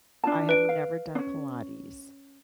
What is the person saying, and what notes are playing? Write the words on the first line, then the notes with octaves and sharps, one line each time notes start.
I have never done Pilates.
D4 F4 A5
B4 D7
F5
C#4 D4